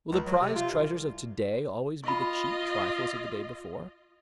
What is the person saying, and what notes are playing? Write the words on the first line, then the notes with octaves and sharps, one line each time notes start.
Will the prized treasures of to-day always be the cheap trifles of the day before?
C#2
F#3
C3
F4
C2
F4 D#5 B5 C#6